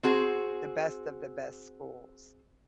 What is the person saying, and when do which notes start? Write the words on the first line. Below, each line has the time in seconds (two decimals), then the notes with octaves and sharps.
The best of the best schools.
0.03 C4 F#4 G#4